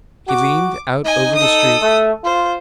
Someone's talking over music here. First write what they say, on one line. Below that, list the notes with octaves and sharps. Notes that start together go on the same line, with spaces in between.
He leaned out over the street.
F#4 D6
D#4 D#5 G#5
A4 D#6
A3
F4 C5